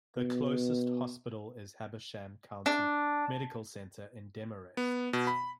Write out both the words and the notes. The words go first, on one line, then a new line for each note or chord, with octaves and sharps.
The closest hospital is Habersham County Medical Center in Demorest.
B2
D4
B3
B2
B5